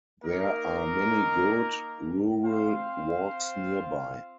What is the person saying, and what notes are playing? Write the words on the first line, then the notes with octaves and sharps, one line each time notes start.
There are many good, rural walks nearby.
A#3 D#4 A#4
C4 F4 C5 F5